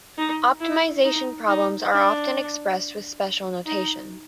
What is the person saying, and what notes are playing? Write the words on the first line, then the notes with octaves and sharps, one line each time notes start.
Optimization problems are often expressed with special notation.
D#4
E4
D#4
D#4
D4
D#4